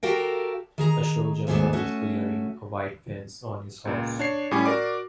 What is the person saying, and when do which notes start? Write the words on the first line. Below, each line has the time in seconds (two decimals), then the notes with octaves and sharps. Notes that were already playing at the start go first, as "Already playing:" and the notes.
A show jumper is clearing a white fence on his horse.
0.03 F#4 G4 A4 A#4 F5 G5
0.78 D#3 G#4 A#5
1.47 D#2 G#2 B2 G#3 A3 D4
1.73 A3 C#4 F#4
3.85 C#2 A#2
4.19 D4 C#5 C7
4.51 A2 G3 C#4 G#5 D6
4.66 F#4 A#4 D5 D6